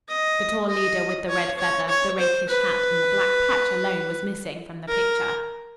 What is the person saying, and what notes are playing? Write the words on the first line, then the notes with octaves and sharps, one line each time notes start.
The tall leader with the red feather, the rakish hat and the black patch alone was missing; from the picture.
D#5
D#5
C#5
C#5
C#5
C5
B4
A#4